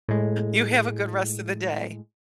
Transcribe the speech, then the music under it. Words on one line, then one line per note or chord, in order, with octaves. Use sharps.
You have a good rest of the day.
A2 G#3